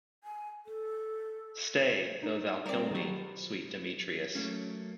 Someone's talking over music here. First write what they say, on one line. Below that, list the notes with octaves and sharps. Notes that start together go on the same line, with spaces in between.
Stay, though thou kill me, sweet Demetrius.
G#5
A4
D#4
G3 A#3 C4 A#4 D5
B2 D#3 F3 F#3 G4
F#3 A3 A#3 C#4